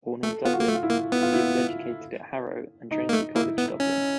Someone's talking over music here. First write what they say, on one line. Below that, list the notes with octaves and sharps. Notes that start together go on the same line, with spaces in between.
Born in Dublin, he was educated at Harrow and Trinity College Dublin.
A3 A4
B3 F4
F#4
A#3
A3
F4
E4
A#3
B3 E4
F4
E4
D#4
A#3
A3
A#3 E4
B3
C#4